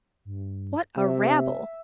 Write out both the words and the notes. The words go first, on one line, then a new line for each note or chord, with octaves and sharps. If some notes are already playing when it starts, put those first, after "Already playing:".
What a rabble!
G2
C3 E5